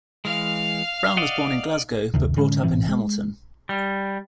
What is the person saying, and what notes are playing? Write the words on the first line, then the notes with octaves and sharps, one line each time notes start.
Brown was born in Glasgow, but brought up in Hamilton.
E3 G#3 F5 F6
D5 D#5 F#5
F#1 D2 C3 D#3
A2 D3 G#3 C#4
A1 G#2 E3 C4
G#3
G3